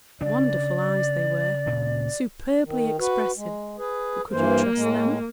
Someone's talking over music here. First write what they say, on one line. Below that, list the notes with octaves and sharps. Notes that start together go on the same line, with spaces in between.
Wonderful eyes they were, superbly expressive, but could you trust them?
C#3 D4 D5
D2 A#2 C#3
D#3
F#4 B4
G#3
G#4 B4
G2 E3 A#3 C5
A2 G#3